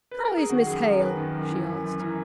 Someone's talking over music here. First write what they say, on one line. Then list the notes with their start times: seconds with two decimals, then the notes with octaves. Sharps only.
'How is Miss Hale?' she asked.
0.11 B4
0.25 A#4
0.37 G#4
0.49 D#3 F#4
0.66 F#2 G#4
0.83 F#2 A#4
1.00 D#3 B4
1.17 D#3
1.34 F#2
1.50 E3
1.67 F#2
1.84 F#2
2.00 E3 A#4